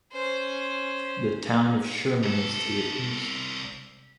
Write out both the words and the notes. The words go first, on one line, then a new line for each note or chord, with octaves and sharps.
The town of Sherman is to the east.
C#4 C5
C2 A4